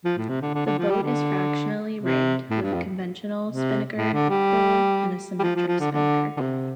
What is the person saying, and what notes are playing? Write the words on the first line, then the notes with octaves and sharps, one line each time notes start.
The boat is fractionally rigged, with a conventional spinnaker pole and symmetric spinnaker.
F3
A2
C3
D3
D3
D3
F3
G3
D3
C3
A2
G2
F2
C3
A2
D3
G3
G3
F3
F3
F3
D3
D3
D3
C3